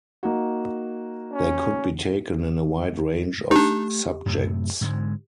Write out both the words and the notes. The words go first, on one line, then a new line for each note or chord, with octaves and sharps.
They could be taken in a wide range of subjects.
A#3 D#4 F#4
C#4
A3 D4 D#4 G4
F#2 A2 C3
G#2 D3 G#3